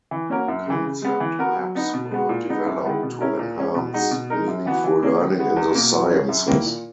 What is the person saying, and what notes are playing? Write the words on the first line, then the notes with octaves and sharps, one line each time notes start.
Concept maps were developed to enhance meaningful learning in the sciences.
E3
A#3 C#4 F#4 A#4
F#2
C#3 E3
C#3
G#3 B3
E3
B3 F#4 A#4
F#3
B3 D#4
B2
G#3 B3 F#4
A#2
G#3 B3 D#4
F#2
D#3 G#3 B3 E4
B2
G#3 C#4 E4 A#4
A#2
G#3 C#4
B2
G#3 D#4 F#4
B2
G#3 D#4 A#4
F#2
E3 B3 F#4
E3
A#3 C#4 G#4
D#3
G#3 B3 F#4
E2
B2 A#3
F#3
C#4 G#4
F#2
D#3 A#3 E4
A#2